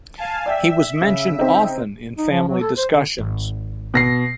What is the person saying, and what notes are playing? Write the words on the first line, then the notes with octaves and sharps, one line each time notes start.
He was mentioned often in family discussions.
F5 G#5 A5
D5 E5 G5
C#3
C4 D#4
D#4
F3
F#3
A4
C5
D3
G#1
B2 A#6 C7